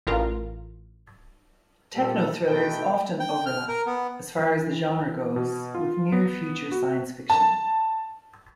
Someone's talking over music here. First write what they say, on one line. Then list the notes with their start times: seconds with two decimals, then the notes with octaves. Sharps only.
Techno-thrillers often overlap, as far as the genre goes, with near-future science fiction.
0.07 A1 F4 A#4
1.95 A#2 G3 A4
2.47 B2 D#3 A3 A4 B4 G5
3.20 G5
3.46 F6
3.68 A#4
3.86 B3
4.39 E3
5.36 B2
5.75 F4
6.12 B3
6.72 F#4
7.30 A5